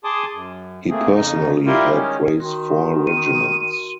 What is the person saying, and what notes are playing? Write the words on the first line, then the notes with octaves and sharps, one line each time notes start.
He personally helped raise four regiments.
G#4 G#5 A5 C6 D6 D#6
F#2
A3 A#3 C4 G#4
F2 C#3 D#4
G3 E4 F4 G4 A#4
D#3 G#3 C#4
D#3 F#4 A#4 C6
D#7